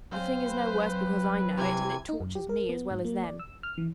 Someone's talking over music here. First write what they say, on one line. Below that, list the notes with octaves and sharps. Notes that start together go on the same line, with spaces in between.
The thing is no worse because I know it, and it tortures me as well as them.
F#3 C4 C5 F5 G#5
B4
C3 E3 G#5 G#6
D#4
F#2
G4
A#4
B3
G#2
A#3
D5
E6
F6
E3